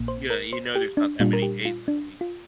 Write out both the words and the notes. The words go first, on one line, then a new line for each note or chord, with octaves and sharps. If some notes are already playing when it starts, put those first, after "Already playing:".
Yeah, you know, there's not that many days in a week,
Already playing: A#1 A#2 A#3
C5
A#4
C5
G4
D4
A#2 G3 D4 F4
A#4
G4
F4
D4
F4